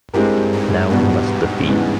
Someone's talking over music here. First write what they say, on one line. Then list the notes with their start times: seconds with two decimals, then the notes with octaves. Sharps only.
Now we must defeat.
0.13 G2 G#3 C4 E4 G4 A#4
0.53 G#2
0.90 E2 G2 B2 G3 B3
1.68 E2 C#3 E3 G#3 B3